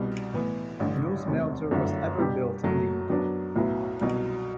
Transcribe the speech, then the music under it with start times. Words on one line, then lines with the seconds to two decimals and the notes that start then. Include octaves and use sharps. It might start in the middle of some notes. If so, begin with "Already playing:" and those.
No smelter was ever built in the Yukon.
Already playing: C2 B2 G3
0.33 A2 E3 B3
0.80 A1 G2 D3
1.26 E1 D2 C3
1.71 G1 F#2 D3 A3 E4
2.18 B2 G3 D4 G4
2.64 F#2 F#3 A3
3.10 F#2 F#3 B3 D4
3.56 B1 A2 F#3 B3 E4
4.01 C2 B2 F#3